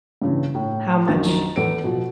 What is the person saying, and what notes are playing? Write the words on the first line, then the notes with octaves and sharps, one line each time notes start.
How much
G2 C#3 E3
A2
A#1 F#2 D#3 A#4 A6
E2 A4 B4 D7
B2 F3